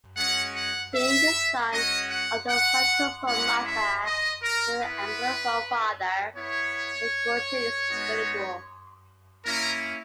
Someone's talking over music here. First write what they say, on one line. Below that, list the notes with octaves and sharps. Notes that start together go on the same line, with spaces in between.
Being the son of a Francophone mother and an Anglophone father, McGuinty is bilingual.
G#3 C#4 F#4 F#5
F#5
E5
G#3 C#4 F#4 D#5
F#5
F#5
G#3 C#4 E4 F#5
E5
D#5
A#4
B3 E4 B4
B3 E4 C#5
G#3 B3 D#4 F#4
A#3 C#4 E4 A#4